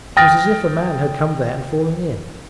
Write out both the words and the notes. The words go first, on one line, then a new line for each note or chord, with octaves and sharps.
It was as if a man had come there and fallen in.
G5 D#6 F6 A6 A#6